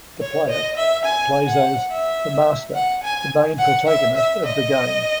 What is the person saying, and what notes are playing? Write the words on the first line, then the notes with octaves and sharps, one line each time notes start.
The player plays as "The Master," the main protagonist of the game.
C#5
D#5
E5
G#5
F#5
E5
F#5
G#5
F#5
E5
E5
D#5